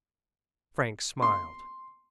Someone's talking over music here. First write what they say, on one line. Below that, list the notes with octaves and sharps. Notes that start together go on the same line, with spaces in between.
Frank smiled.
C6